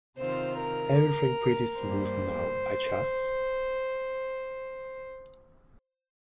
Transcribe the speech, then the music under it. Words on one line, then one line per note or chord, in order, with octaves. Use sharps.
Everything pretty smooth now, I trust?
C3 D#3 C4 F4 C5
A#4
G2 G3 A#3 C5